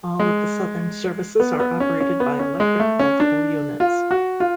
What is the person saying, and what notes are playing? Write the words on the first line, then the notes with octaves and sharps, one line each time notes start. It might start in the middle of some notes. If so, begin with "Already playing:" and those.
All of the Southern services are operated by electric multiple-units.
G#3
B3
B3
C#4
C#4
B3
C#4
G#3
A3
C#4
D4
F4
F#4
F4